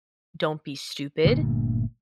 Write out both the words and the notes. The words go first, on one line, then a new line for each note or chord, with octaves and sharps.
don't be stupid,
G1 A#2 D3 A3